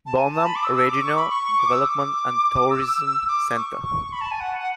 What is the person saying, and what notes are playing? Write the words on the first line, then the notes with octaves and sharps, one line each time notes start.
Bonham Regional Development and Tourism Center.
A5
G#5
A5
B5
D6
E6
E6
D6
C#6
B5
C#6
D6
E6
D6
E6
D6
C#6
C#6
B5
A5
G#5
F#5
F#5